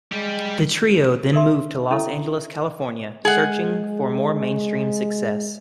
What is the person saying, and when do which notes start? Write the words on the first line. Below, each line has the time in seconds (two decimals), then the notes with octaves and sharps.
The trio then moved to Los Angeles, California, searching for more mainstream success.
0.13 G3 G#3 G4
1.33 A4 A#4 E5 C6
1.91 C#4 E4 A4 E5
3.25 G#3 G#4 F#5